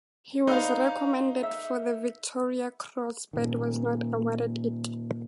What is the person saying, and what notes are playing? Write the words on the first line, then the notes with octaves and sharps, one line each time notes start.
He was recommended for the Victoria Cross but was not awarded it.
D#4 B4 C5 D5 F5
E5
A#2 D#3